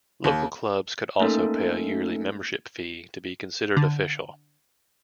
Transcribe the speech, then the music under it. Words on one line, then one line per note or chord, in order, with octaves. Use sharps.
Local clubs could also pay a yearly membership fee to be considered official.
D#2
A3 A#3 C#4 D#4 A4 A#4
D3